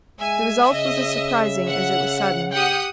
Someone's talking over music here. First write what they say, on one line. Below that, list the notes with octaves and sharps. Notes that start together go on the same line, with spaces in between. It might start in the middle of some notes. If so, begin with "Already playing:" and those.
The result was as surprising as it was sudden.
G#3 E5 G#5
C#3 D#5
F#5
G4 F#5 G5 D#6